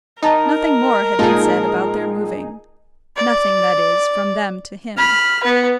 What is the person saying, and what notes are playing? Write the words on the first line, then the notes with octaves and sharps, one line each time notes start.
Nothing more had been said about their moving,--nothing, that is, from them to him.
D#4 A#4 D#5 A5 A#5
A#1 G#3 D#4 F4 G#4 A5
D5
B5 F6
B3 B4